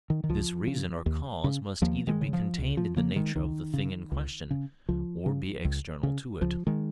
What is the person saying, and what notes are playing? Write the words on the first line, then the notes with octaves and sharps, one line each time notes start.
This reason or cause must either be contained in the nature of the thing in question, or be external to it.
D#3
D#3
C#2 F3
C#3
D#2
C#3
D#2 F3 A#3
D#3 G#3
C#3
F3
C#2
F3
C#3 F3 A#3
D#3 G#3
C#2 D#3
C#3
C#2
C#3
C#2 F3
C#3
C#2
C#3
C#2 F3
D#3 G#3